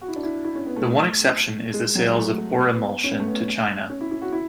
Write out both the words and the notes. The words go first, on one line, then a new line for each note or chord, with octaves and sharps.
The one exception is the sales of Orimulsion to China.
F#4
E4
D4
E4
E4
C#4
B3
A3
A3
G#3
F#3
A3
B3
C#4
B3
A3
B3
C#4
E4
E4
F#4
E4